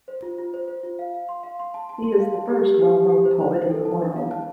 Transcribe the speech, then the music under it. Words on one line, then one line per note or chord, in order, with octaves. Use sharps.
He is the first well known poet in the world.
C5
F4
F4
C5
C5
F4
F5
F5
C6
F5
C6
A5
A5
C6
F5
A5
G4
G4
G4
G4
G4
C5
C5
C5
A4
A5
D4
F5
A5